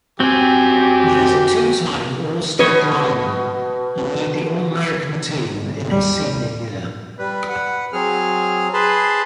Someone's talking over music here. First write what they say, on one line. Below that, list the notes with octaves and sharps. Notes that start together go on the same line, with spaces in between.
He was a two-time all-state lineman, and made the All-America team his senior year.
C4 F#4 G4 G#5
B2 B4 C#5 D#5
G1
D#2 G3
G3 B4
B4 F#5
F#3 C4 G#4 F6
G#4 B4 A5 B5 C6